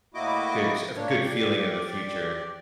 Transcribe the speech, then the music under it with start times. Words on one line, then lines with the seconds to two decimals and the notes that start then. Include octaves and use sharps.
good ch a good feeling of the future.
0.14 A2 A#3 E4 F#4 D#5 D6
0.95 A#3 D4 C#5
1.23 G4 D5